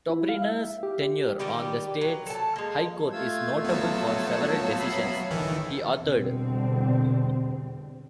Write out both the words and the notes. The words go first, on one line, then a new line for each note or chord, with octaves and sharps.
Tobriner's tenure on the state's high court is notable for several decisions he authored.
E4
F5
E5
G4
D#3 G3 G4 B4
F#3
A4 A5
G#3 A#3
A3 F4 E6 G#6
F#3 B3 C#5 A5
E5 F5 B5
D#3 E3 A4
E2 B2 D3 G3 C4